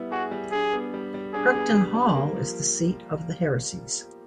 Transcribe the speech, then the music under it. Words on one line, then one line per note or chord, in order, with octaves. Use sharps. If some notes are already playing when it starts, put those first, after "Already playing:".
Cruckton Hall is the seat of the Harrieses.
Already playing: G3 B3 E4
F#4 G#4
G3
D4 G#4
B3
G3
G3
D4 G#4
B3
G3
G3
A#3
F3